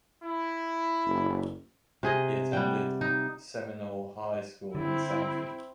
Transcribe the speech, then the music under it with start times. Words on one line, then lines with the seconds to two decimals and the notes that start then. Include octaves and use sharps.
He attended Seminole High School in Sanford.
0.24 E4
1.06 F#1
2.03 C3 G#4 D#5
2.53 G3 F#5 G5
3.01 D#4
4.75 D3 C4 E4